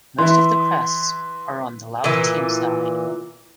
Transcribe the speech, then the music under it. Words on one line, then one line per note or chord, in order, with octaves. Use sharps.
Most of the crests are on the Laotian side.
E3 E4 C6
A#2 E3